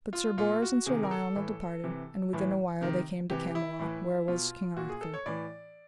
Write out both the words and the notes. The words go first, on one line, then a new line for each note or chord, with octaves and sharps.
But Sir Bors and Sir Lionel departed, and within a while they came to Camelot, where was King Arthur.
F4
A#2 F4
F#4
C3 D#3 G#4
A#4
A4
A2 E3
C3 E3
A2 E3
C3 D#3
C3 E3 G4
E4
A2 E3
B2 F4
A#2 F#4
G#4
A4
C#5
A2 E3 D5